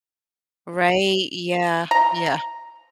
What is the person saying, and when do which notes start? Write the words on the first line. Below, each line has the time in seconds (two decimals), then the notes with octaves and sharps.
Right, yeah, yeah.
1.91 A#5